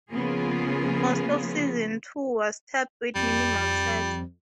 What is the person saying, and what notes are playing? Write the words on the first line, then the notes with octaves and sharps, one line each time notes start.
Most of Season Two was taped with minimal sets.
C#3 F3 A#3 B3 F4 G#4
F2 G3